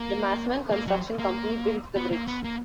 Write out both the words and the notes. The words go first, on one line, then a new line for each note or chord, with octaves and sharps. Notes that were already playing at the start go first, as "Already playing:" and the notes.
The Massman Construction Company built the bridge.
Already playing: A#3
A#3
F#3
A#3
B3
A#3
B3
A#3